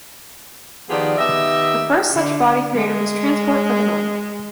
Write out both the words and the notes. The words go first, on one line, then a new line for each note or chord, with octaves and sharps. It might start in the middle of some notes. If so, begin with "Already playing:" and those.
The first such body created was Transport for the North.
D#3 F3 B3 G4 G#4 D5
D#3 B3 G4 D#5 E5
D3
G#3